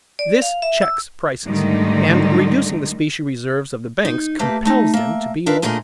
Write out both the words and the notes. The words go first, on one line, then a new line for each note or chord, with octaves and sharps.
This checks prices, and, reducing the specie reserves of the banks, compels them to be more cautious.
D5
F5
E5
E6
G#2 D3 D#3 G3 A3 D#4
D#4
A3 A#3 G4 B4
A3 D#4
A#3 E5
D4 F4 A#4 B4 E5
D2 A#2 A3 G#4 A#4 D#5